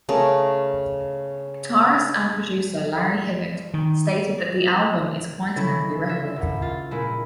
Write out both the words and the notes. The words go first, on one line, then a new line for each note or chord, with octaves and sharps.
Guitarist and producer Larry Hibbitt stated that the album is:quite an angry record.
C#3 A3 G#4 A#4
D#3
C#3 G#3 A3 C#4 E4
F4 E5
G#1
F4 A6
A#2 G#3 E4